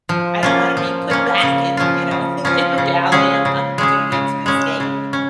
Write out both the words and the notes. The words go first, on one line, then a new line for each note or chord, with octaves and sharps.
I don't wanna be put back in, you know, in reality, I'm I'm doing it to escape,
F3
A#3 C#4 F4
F3
A#3 C#4 F4
C#3
F3 C#4 F4
C#3
F3 C#4 F4
C#3
G#3 C#4 G#4
C#3
G#3 C#4 G#4
C#3
G#3 C#4
C#3
C#4